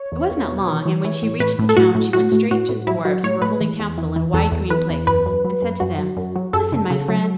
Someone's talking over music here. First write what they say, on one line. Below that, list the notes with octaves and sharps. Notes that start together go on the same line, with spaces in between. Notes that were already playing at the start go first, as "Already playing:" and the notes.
It was not long, and when she reached the town she went straight to the dwarfs, who were holding counsel in a wide green place, and said to them, 'Listen, my friends!
Already playing: C#5
E2
E2
B2
E3
E3
E3
A2
A2 B4
A2
A4
A2 F#4
A2
A2 F#4
A2
A2 F#4
A2
F#3 E4
F#3 F#4
A2 C#5
A2 B4
E3
E2
E3
E3
E2 A4
E2
E3 B4
E2
F#2 B4
F#2
F#3
F#2
F#2 F#4
F#3
F#2
F#3
F#2 A4
C#3
C#3
F#3